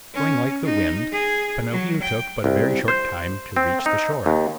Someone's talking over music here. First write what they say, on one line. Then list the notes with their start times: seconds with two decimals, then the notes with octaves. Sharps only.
Going like the wind, Pinocchio took but a very short time to reach the shore.
0.14 C#4
0.64 D#4
1.12 G#4
1.71 F#3
2.02 G5
2.44 C2
2.88 C5
3.57 C4
3.86 D#4
4.26 D#2